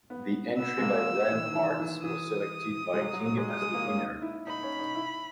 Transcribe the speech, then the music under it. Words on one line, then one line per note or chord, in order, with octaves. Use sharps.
The entry by Brian Hartz was selected by King as the winner.
B3
B3 E6
G#3
A#3
E3
D#3
E3
E3
E3 D#6
G#3
F#3
F#3
F#3
G#3
D#6
G#3
A#3
C#4
D#4
E4
D#4 B5
C#4
D#4
E4